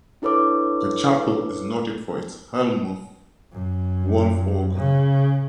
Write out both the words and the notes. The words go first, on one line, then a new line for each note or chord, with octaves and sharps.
The chapel is noted for its Hellmuth Wolff organ.
D4 E4 A4 B4 C#5 D6
F#2
C#3